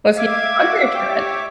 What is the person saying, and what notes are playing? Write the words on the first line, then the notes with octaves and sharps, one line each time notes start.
Was he a dog or a cat?
E5 F5 D6 G#6
F#4
G4 C#5